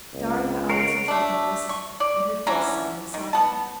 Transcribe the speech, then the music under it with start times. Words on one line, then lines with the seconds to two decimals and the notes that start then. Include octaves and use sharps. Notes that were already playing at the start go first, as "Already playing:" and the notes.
Darya Alexandrovna listened, and her face suddenly softened.
0.14 C#2
0.70 A#4 C#5 F#5 C7 D7
1.08 A3 D4
1.69 C#6
2.00 D5
2.47 D3 E3 C#4 A#5
3.14 D#3
3.33 B3 A5